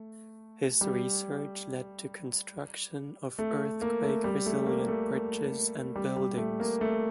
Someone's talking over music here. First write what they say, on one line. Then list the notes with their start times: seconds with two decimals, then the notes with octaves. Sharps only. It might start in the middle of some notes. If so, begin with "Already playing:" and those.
His research led to construction of earthquake resilient bridges and buildings.
Already playing: A3
0.81 G3
3.39 A3
3.82 A#3
4.03 A3
4.24 G3
4.46 A3
4.67 A#3
4.88 A3
5.96 G3
6.17 G3
6.37 A3
6.60 A#3
6.81 A3